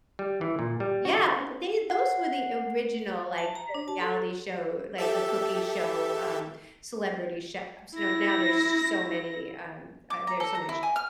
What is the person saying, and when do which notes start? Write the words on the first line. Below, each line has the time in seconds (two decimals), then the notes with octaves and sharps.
Yeah, I was like they those were the original, like, the reality show like, the cooking show, um, Celebrity Chefs. You know, now there's so many, um, uh there's so many shows that
0.19 G3
0.41 E3
0.59 A#2
0.80 G3
1.05 F#4
1.90 F#5
3.38 A5
3.55 A#5
3.74 D4
3.88 A5
4.00 A4
4.98 G4 A4 E5
7.95 E4 A#6
10.10 D6
10.27 A#5
10.40 A4
10.55 A#5
10.69 E4
10.83 G#5
10.96 F6